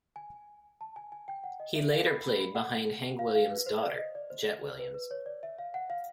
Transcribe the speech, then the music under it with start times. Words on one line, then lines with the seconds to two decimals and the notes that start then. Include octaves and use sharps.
He later played behind Hank Williams' daughter Jett Williams.
0.16 G#5
0.81 A5
0.96 G#5
1.12 G#5
1.28 G5
1.44 F#5
1.60 D#5
1.75 E5
1.92 F5
2.07 B5
2.24 B5
2.40 B5
2.55 F#5
3.19 F5
3.35 F5
3.51 B4
3.66 C5
3.82 D5
3.98 D#5
4.15 D5
4.30 C5
4.79 B4
4.94 B4
5.11 C#5
5.26 D5
5.43 E5
5.59 F5
5.74 F#5
5.90 F5